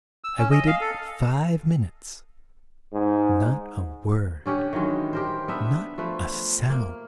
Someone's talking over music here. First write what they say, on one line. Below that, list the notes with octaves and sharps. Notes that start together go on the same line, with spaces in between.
I waited five minutes--not a word, not a sound.
E6
C#4
D#5
F5
A4
G#2
D3 C#4 G4 F#5
D#3 E3 F#3 G#3
G4 A#4 C5
B3 D4 E5
F3 A3 B4
A#3